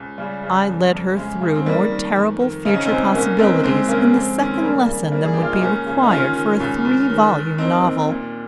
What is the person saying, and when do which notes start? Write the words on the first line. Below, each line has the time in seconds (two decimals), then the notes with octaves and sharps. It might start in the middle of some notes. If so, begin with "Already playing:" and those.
I led her through more terrible future possibilities in the second lesson than would be required for a three-volume novel.
Already playing: C#2
0.18 C#3 G3
0.43 C#3
0.68 F2
0.92 F2
1.17 C#3 G#3
1.41 C#3
1.55 C4
1.66 D#3 G3 A#3
1.91 D#3
2.15 F2
2.40 D#3
2.65 C#3 D#4
2.75 C#4
2.85 C4 D#4
2.90 C#2
3.14 C2 A#3 C#4
3.39 C2 C4 D#4
3.63 D#2 G#3 C4
3.88 C#3 A#3 C#4
4.01 A#3
4.13 F2 G#3 C4
4.38 D#3 C#4
4.51 C4
4.62 C#3 G3 A#3
4.88 C#3
5.12 D#3 G3 A#3
5.24 G#4
5.34 G2 G4
5.43 F4
5.52 D#4
5.61 C#2 A#3 C#4
5.86 C#3
6.03 D#4
6.11 D#3 C#4 F4
6.35 D#3
6.60 C#2
6.85 C#2
7.10 D#3
7.34 D#3
7.58 D#3 C4 D#4
7.83 D#2
8.08 A#2